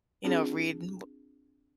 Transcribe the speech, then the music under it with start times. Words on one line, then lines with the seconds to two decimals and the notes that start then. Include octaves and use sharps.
you know, read w
0.24 C4 D4 F4 G#4